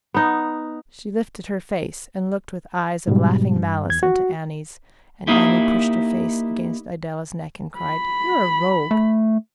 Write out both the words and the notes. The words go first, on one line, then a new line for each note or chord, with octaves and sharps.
She lifted her face, and looked with eyes of laughing malice into Annie's, and Annie pushed her face against Idella's neck and cried, "You're a rogue!"
B3 D#4
G#2 B2 F#3 G3
G2
E2 G#6
F#4
A#3 D#4 E4 G4
B5
A3